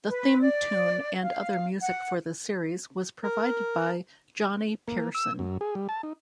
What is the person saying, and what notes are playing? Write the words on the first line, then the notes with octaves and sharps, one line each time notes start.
The theme tune and other music for the series was provided by Johnny Pearson.
B4
D5
F5
F#5
A#4
A#3
E6
F#2
G#4
G3
A5
D#4